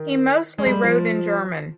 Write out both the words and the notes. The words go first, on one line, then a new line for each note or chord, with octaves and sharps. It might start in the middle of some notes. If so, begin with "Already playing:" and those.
He mostly wrote in German.
Already playing: D#3
G#3
G3
F3